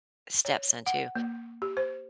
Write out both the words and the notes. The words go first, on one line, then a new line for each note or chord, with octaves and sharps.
stepson too,
C#5
F#5
A#3
G4
C5